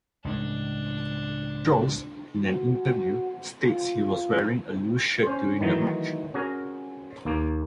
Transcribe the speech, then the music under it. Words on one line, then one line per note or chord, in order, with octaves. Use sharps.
Droz, in an interview, states he was wearing a loose shirt during the match.
C#2 A2 D4
F#4
F4
C#4 C5
D#3 E3 F#3 A3 D#4
C#4 F#4 G#4 A#4
D#2 A#3